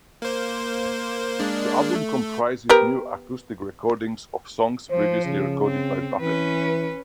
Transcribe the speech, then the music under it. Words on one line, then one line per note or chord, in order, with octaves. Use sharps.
The album comprises new acoustic recordings of songs previously recorded by Buffett.
A#3 C5
G#3 A#3 D4
A3
B3 G4 A#4
F3 C5
C#3
C4
E3 C#4 B4